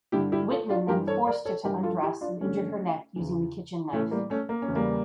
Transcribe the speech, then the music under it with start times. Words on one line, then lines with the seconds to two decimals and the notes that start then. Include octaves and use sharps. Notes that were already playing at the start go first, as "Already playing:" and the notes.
Wittmann then forced her to undress and injured her neck using the kitchen knife.
0.12 G2 D3 E4 G4
0.32 E4 G4
0.50 F4 A4
0.69 D4 F4
0.88 G2 E3 G4 A#4
1.07 A4 C#5
1.27 A#4 D5
1.45 A4 C#5
1.64 G2 E3 G4 A#4
1.83 F4 A4
2.02 E4 G4
2.21 D4 F4
2.40 G2 D3 A3 C#4
3.16 E2 C#3 E3
3.93 A2 E3 A3 C#4
4.11 G3 A#3
4.30 A3 C#4
4.49 A#3
4.62 C#4
4.68 E2 C#3 E3
4.76 G3 A#3